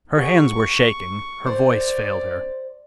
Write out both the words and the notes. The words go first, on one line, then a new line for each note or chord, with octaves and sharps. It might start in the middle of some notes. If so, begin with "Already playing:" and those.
Her hands were shaking, her voice failed her.
G4 G#4 F#5 C#6
C5 D5